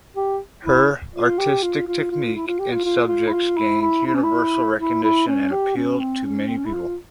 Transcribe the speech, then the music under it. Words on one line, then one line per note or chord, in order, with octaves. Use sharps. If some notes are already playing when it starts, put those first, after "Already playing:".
Her artistic technique and subjects gained universal recognition and appealed to many people.
G4
E4
F4
G4
F4
F4
F4
E4
F4
G4
F4
F4
F4
E4
F4
E4
E4
E4
C#4
E4
E4
E4
C#4
G4
C#4
C4
C#4
C4
C#4
E4
F4